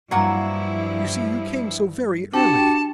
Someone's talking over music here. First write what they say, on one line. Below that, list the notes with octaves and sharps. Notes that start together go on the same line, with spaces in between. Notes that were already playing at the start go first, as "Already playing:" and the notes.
"You see you came so very early."
G2 F3 F#3 A#3 E4 F#5
D4 F#4 G4 G5 A5